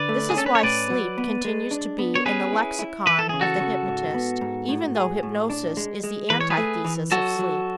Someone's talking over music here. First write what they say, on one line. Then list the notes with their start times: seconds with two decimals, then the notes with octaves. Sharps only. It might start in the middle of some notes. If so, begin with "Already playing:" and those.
This is why "sleep" continues to be in the lexicon of the hypnotist even though hypnosis is the antithesis of sleep.
Already playing: D3 B4 D5
0.09 A3
0.30 G#4
0.37 C#4 A4
0.46 B4
0.55 C#5
0.63 A2 B4 D5
0.90 F#3
1.18 B3
1.45 G#3
1.71 D4
1.99 B3
2.16 C#5
2.26 C#4 G#4 B4
2.53 E4
2.79 E4
3.06 E3 B4
3.19 A4
3.29 C#3 G#4
3.41 F#4 A4
3.60 C#3
3.88 G#2
4.14 B3
4.41 G#2
4.69 A2
4.96 G#4
5.23 A2
5.50 D4
5.77 G#3
6.04 G#3
6.30 E3 B4
6.41 C#5
6.50 G#4 B4
6.57 A3
6.85 E3
7.11 F#3 F#4 A4
7.39 F#3